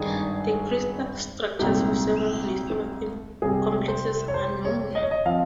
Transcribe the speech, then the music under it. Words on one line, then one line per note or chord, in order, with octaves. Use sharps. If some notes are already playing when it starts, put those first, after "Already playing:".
The crystal structures of several nitrophorin complexes are known.
Already playing: G#1 G2 D#3 G#3 D#4 G#4
C2 A#2 G#3 C4 D#4 G4
C2 C3 G3 G#4
C5
C#5
C5
C#5
D#5
C#5
D#5
F3 C4 F5